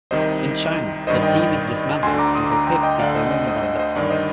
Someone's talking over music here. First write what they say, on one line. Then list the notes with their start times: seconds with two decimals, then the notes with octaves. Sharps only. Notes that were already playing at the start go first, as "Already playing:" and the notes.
In China, the team is dismantled until Pip is the only one left.
0.11 C2 C3 D#3 C5 D#5
1.07 G#1 G2 D#3 C5 D#5
1.23 D#5 G5
1.39 D#5 G5
2.03 D2 G#5 C6
2.07 D3
2.19 A#5 D6
2.35 C6 D#6
2.50 A#5 D6
2.67 G5 A#5
2.83 D#5 G5
2.99 D2 D5 F5
3.03 D3
3.15 C5 D#5
3.31 C5 D#5
3.46 C5 D#5
3.63 C5 D#5
3.79 C5 D#5
3.95 G1 G2 D#3 D5
4.10 C5 D#5